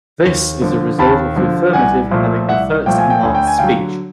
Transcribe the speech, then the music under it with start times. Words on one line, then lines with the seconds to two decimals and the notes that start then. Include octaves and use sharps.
This is a result of the affirmative having the first and last speech.
0.25 D#2
0.62 D3 F3
0.99 D#2 A5 B5
1.36 D3 F3
1.73 C2 F#5 G#5
2.11 A#2 F3 A3
2.48 C2 E5 F#5
2.86 A#2 F3 A3 G5
2.98 G#5
3.10 G5
3.23 D2 G#5
3.35 G5
3.47 G#5
3.58 D3 F#3 F5 G5